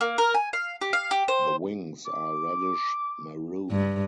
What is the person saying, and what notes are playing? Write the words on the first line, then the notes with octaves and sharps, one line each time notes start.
The wings are reddish maroon.
A#3
A#4
G#5
F5
G4
F5
G4
C5
D6
G2